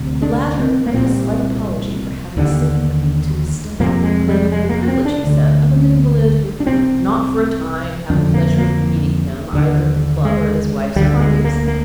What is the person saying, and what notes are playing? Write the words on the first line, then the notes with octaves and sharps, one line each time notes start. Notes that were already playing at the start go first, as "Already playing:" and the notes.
The latter made a slight apology for having sent for him to his study--claiming the privilege, he said, of an invalid, who could not for a time have the pleasure of meeting him either at the club or at his wife's parties.
Already playing: D2 C3
D4
C4
A#3
C2 A#2 C4
D#2 D3
F2 C3 A#3
G#3
G3
G#3
A#3
C4
D4
D2 D3
D4
C2 C3 C4
F2 D3 D4
A#3
A#3
D#2 D3
G#3
D2 D3 G3
G#3
A#3
A#3